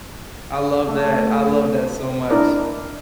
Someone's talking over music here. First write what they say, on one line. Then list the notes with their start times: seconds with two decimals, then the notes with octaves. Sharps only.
I love that I love that so much.
0.88 A3
2.30 D4 E4 A#4 D5 D#5